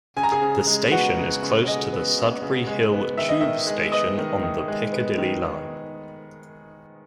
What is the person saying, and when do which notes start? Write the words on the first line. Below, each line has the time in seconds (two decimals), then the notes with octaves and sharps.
The station is close to the Sudbury Hill tube station on the Piccadilly line.
0.17 C#3 G#5
0.23 A#5
0.32 G#4 G#5
0.42 C#3
0.67 G#3
0.91 B3 F#4 F#5
1.16 C#3
1.42 C#3
1.67 G#3 D#5
1.93 B3
2.16 C#3
2.42 C#3
2.67 G#3
2.92 B3
3.17 D#3 E5
3.29 D#5
3.41 D#3 E5
3.67 G#3
3.92 B3 D#5 D#6
4.18 D#3
4.42 D#3
4.68 G#3
4.92 B3
5.18 D#3
5.43 D#3